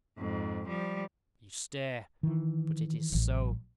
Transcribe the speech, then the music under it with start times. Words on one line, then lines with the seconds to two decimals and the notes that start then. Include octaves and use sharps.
You stare. But it is so.
0.18 F2 G#2
0.68 F3 G3
2.23 D#3 E3
3.12 A1 F#3